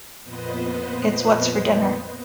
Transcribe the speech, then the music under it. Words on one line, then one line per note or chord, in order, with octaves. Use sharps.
It's What's For Dinner.
F2 A#2 B3 B4 C5 D#5